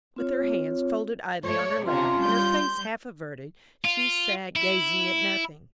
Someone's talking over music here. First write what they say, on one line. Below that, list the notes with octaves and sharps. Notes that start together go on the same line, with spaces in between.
With her hands folded idly on her lap, and her face half averted, she sat gazing at nothing.
C4 F4 C#5
A3 C#5 D5
C3 C#4 D4 F4 A#5 C6
G3 G6
F4
E4